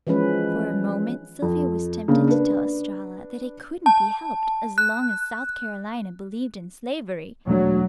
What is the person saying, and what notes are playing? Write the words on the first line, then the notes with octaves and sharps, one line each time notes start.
For a moment Sylvia was tempted to tell Estralla that it couldn't be helped, as long as South Carolina believed in slavery.
E3 F3 G#3 C#4 B4
F2
C#3 A#3 D4
D4 B4
A5
F#6
E1 F#3 A3 D4